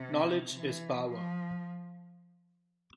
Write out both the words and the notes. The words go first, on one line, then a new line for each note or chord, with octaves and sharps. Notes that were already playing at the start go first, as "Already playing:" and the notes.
Knowledge is power.
Already playing: C3
E3
F3